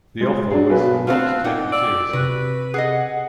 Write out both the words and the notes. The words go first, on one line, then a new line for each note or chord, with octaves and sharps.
The offer was "not taken seriously".
G#3
F#3 D4 G#4
B1 B2 B4 G#5
A3 B3 C4 F4
A#2 D#4 F#5 G5
D5 E6
C3 F#4 B4
G#4 A4 D#5 F#5